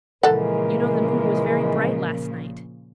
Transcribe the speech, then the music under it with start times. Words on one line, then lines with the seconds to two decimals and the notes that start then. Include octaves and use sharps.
You know the moon was very bright last night.
0.23 A#2 C#3 E3 F3 G#3 A4 A#4 F#5